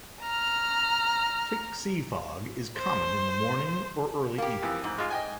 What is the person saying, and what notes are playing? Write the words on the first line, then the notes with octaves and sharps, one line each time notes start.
Thick sea fog is common in the morning or early evening.
A#5 F6
C5
A#3 G4
F2 E3
G#2
G#3 F4
D#5 G5 G#5